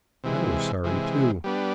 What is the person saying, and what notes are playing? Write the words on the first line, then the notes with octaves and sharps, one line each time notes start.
I was sorry, too.
C3 E3 G#3
C3 E3 G#3
G3 B3 D4